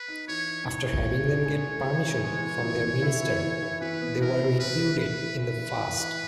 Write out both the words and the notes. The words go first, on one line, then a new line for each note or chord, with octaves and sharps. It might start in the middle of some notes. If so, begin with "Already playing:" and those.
After having them get permission from their minister they were included in the fast.
Already playing: B4
D#4
E3 C#5
D#4
E3 C#5
E3
E3
D#4
G#3
E3
E3
E3
G#3
E3
E3
E3
E4
E3
E3
E4
E3 B4
B3
E4 A#4
B3
E3 B4
E4
E3 B4
E4
E3 B4
E4
E3
E4